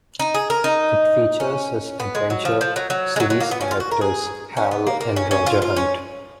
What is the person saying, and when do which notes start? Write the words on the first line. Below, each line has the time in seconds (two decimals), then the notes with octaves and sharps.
It features his "Adventure" series characters, Hal and Roger Hunt.
0.19 D#4
0.35 G#4
0.50 A#4
0.64 D#4
1.40 C#4
2.00 B3
2.15 G#3
2.30 F#3
2.45 F3
2.61 F3
2.76 F#3
2.90 F#3
3.16 G#3
3.20 F#3
3.30 F#3
3.40 A#3
3.51 B3
3.61 C#4
3.71 F4
3.80 F#4
3.91 A#4
4.01 G#4
4.57 C#4
4.71 B3
4.87 A#3
5.01 A#3
5.16 C#4
5.31 C#4
5.46 F4
5.62 F4
5.77 C#4